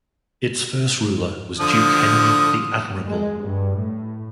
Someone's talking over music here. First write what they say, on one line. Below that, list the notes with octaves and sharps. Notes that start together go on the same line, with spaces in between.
Its first ruler was Duke Henry the Admirable.
D3 F3 D#6
G#3
G2
A2